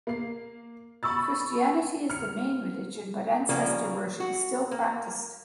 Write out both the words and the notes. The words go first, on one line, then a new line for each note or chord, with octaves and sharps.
Christianity is the main religion, but ancestor worship is still practised.
A#3 C7
B5 C#6 D#6 E6 A6
F6 C#7
C#3 F3 G3 A#3
F#4
A#3